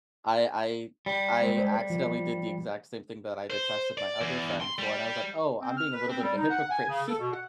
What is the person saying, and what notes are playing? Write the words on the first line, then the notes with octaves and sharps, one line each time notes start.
I I I accidentally did the exact same thing that I detested my other friend for, and I was like, "Oh, I'm being a little bit of a hypocrite here“
G3
G#3 C5
F3
C5
D5
E2
C6
G3
C4
F6
B4
C4
G3
D#4
F#5
G#5
C#3
A4
B2
F#5